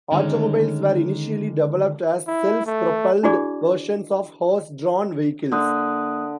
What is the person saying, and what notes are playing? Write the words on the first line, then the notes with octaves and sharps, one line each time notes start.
Automobiles were initially developed as self-propelled versions of horse-drawn vehicles.
D3 D#3 G#3 C#4 D#4
E4
A3
D4 E4 F#4 G#4 D5 D6
D3 A#3 D#6 F#6